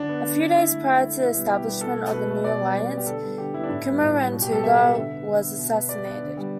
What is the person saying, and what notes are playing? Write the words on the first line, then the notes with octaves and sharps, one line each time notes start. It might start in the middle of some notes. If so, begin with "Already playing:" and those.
A few days prior to the establishment of the new alliance, Kumaranatunga was assassinated.
Already playing: D3 D4
B3
D3
B3
D3 E4
A3
D3
A3
B2 E4
G3 B3
B2 G4
G3 B3
B2 A4
A3
B2 B4
A3
B2 D5
G3 B3
B2
G3 B3
G4
D3 A4
G3 B3
D3 G4
G3 B3 E4
D4
A2 E4
G3 B3
A2
G3 B3
B2
G4
G3 B3 A4
B2 E5
G3 B3
D3 E5
B3
D3
B3
B2
B3
B2 D5
B3
D3
G3 B3